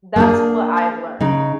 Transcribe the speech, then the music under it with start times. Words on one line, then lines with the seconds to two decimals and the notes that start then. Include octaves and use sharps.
That's what I've learned.
0.16 A#3 D4 G#4
1.21 C#3 D#4